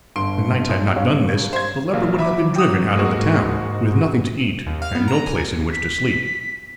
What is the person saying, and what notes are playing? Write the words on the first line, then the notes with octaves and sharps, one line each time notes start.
If the knight had not done this, the leper would have been driven out of the town, with nothing to eat and no place in which to sleep.
G1 C6 D7
B1
G2 C#5 F5
C5 G#6
A#1 F#3 A#3 F5
E5 B5 D6
G5 D#6
G#2 G#3 A#3 F#4
D#2
F5
B3
A#5
G#5
B6